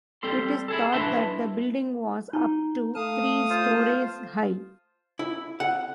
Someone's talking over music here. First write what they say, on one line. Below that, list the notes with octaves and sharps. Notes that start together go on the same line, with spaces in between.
It is thought that the building was up to three storeys high.
G3 C4 A4 C6
E4 G#4 A4
D4 E4 B4 E5 A5 C6
D#4
A3 F5 A5 D#6
F4 C5
E4
F#5